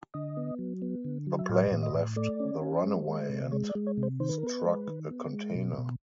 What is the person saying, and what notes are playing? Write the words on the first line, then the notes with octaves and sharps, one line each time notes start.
The plane left the runway and struck a container.
D3 D#5
B3
F#3
B3
D3
F#3
E5
A2 F5
A2
D#5
A2
A3 D5
C#4
C#4
G#3
G#3
C3
G#3 C#5
D5
G#3
C#5
C3
C5
D#3 C5
B4
A#4
B3 B4
G#3
D#3
B3
G#3
B2
B2